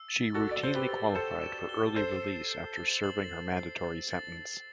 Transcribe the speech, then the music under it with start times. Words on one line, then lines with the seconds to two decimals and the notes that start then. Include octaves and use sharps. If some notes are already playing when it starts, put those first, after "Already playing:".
She routinely qualified for early release after serving her mandatory sentence.
Already playing: E6
0.08 A6
0.34 F#4 A4 A6
0.51 D5
0.62 C5 G7
0.75 G4 B4
0.89 A6
1.15 A4 C5 E7
1.42 E7
1.69 G7
1.96 A4 C5 C7
2.23 C7
2.49 C7
2.76 A6
3.04 F#7
3.30 A6
3.56 C7
3.84 A6
4.11 A6
4.37 A6